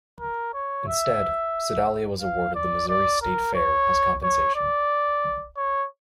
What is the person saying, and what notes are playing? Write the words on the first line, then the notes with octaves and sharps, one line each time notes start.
Instead, Sedalia was awarded the Missouri State Fair as compensation.
A#4
C#5
E5
F5
D5
D5
A#4
C#5
C#5
D5
C#5